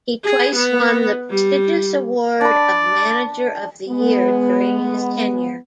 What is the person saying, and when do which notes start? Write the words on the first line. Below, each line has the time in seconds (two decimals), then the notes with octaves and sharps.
He twice won the prestigious award of Manager of the Year during his tenure.
0.24 G#4
0.56 B3
1.30 G3
2.41 D4 D5 B5
3.89 G#3 B3